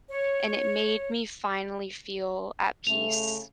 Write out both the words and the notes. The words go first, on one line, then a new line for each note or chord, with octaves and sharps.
and it made me finally feel at peace,
C#5
C#3 A3 F7